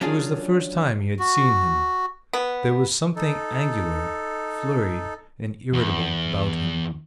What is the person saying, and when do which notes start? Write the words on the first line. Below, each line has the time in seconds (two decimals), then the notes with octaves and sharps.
It was the first time he had seen him. There was something angular, flurried and irritable about him.
0.01 F#3 C#4 D4 F4 G#4
1.19 F#4
2.33 B3
3.16 D#4 A4
5.73 E2